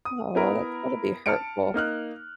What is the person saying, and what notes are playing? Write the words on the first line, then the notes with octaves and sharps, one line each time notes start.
Oh, that's gotta be hurtful.
D#6
B3 E4 A#4
A5 F6 C#7 D7
A#3 D#4 F6 F#6